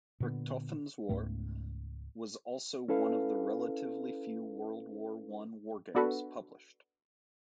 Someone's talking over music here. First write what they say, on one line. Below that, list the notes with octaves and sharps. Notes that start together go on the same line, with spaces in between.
"Richthofen's War" was also one of the relatively few World War One wargames published.
A#2 D3 B3
C#2 G#2 A3 B3
C#4 E4 A4 B4 F5
B3 D4 F#4 A4 B4